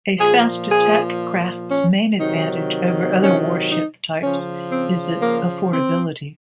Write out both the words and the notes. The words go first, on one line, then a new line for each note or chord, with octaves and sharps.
A fast attack craft's main advantage over other warship types is its affordability.
A#2 F3 G#4
G#4
C#4
C3 D#3 F#3 D#4
C#4
D#4
C#3 F3 C#4
C4
A#3
C4